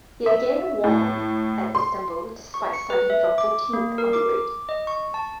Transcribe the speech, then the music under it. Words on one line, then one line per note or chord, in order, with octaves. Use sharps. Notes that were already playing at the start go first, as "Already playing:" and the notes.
He again won at Istanbul, despite starting from fourteenth on the grid.
E5
A2
C6
C#6
C#7
B4
E5
D6
A#3
A#4
D6
D#5
C#6
A5